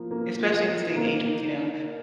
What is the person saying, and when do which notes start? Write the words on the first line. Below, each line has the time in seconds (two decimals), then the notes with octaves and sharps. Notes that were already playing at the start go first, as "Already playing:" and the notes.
Especially in this day and age with, you know,
Already playing: F3 A#3
0.11 A#3
0.39 F4
0.68 F4
0.96 A#3
1.25 D#4
1.54 D#4
1.83 A#4